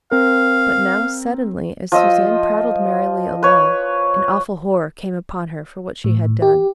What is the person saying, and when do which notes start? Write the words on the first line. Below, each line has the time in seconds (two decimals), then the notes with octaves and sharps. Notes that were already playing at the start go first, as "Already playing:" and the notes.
But now, suddenly, as Suzanne prattled merrily along, an awful horror came upon her for what she had done.
0.11 C4 A#4 F5
1.92 F3 D#5 E6
3.43 B4 C#5
6.04 A2
6.42 G4